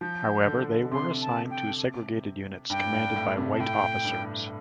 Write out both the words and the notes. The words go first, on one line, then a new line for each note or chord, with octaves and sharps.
However, they were assigned to segregated units commanded by white officers.
F3 G6
D3
C3 C6
A5
G5
G2 G5
G2
A2
C3
A5
A2 G5
G2